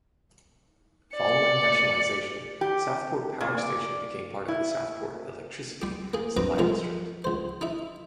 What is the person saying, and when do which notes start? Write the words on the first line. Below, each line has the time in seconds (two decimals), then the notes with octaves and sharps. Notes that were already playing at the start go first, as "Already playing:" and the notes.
Following nationalisation Southport power station became part of the Southport electricity supply district.
1.16 D5 C#7
2.61 G4
3.41 A#2
3.58 D5
4.48 E4
5.82 G3 G4
6.14 A#3 G#4
6.37 G2 C4 B4 A#5 D#6
6.58 B1 F3 G#3 A#4
7.24 C#2 C5
7.61 D#4 E4 E5